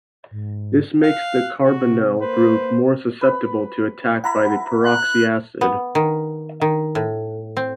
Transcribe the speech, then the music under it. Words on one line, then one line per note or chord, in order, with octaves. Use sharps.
This makes the carbonyl group more susceptible to attack by the peroxyacid.
G#2
F5 F#6
C3 F#4
A#3 B4 C5
B4 B5
E4 F#5 A#5 B5
F#6
B3
D#3
D#3
A2
C4